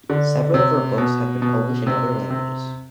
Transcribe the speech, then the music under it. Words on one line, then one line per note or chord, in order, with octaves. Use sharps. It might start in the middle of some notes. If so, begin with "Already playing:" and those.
Several of her books have been published in other languages.
D3
C3
B2
B2
C3
C3